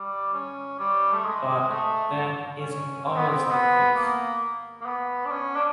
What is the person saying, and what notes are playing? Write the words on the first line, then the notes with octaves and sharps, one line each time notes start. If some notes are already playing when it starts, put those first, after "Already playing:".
But that isn't always the case.
Already playing: G3
C#4
G3
A3
G#3
A3
C#4
C4
B3
C4
B3
A#3
A#3
B3
D4
C#4
D4